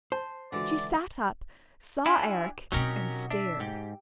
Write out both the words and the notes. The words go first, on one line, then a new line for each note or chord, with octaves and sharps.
She sat up, saw Eric and stared.
C5 A5
C#2 D3 E3 F#4 D5
D4 E4 F4 G4 G#5
B2 F#3 C4 C#4 D#4 F#4 G4 A#4
D4 E5
G#2 G4